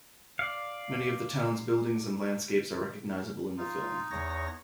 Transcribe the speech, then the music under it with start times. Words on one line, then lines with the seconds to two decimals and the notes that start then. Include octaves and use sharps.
Many of the town's buildings and landscapes are recognizable in the film.
0.39 D5 F5
3.57 D#4 F4
4.11 E2 C#5 A#6